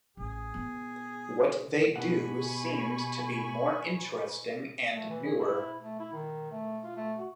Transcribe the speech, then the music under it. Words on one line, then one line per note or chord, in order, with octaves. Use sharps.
What they do seems to be more interesting and newer.
A1 G#4
B3
B2 G4 F#5 G#5 B5 C#6
A3
E3
G#4
E4
A3
E4
D#3
A3
F4
A3
F#4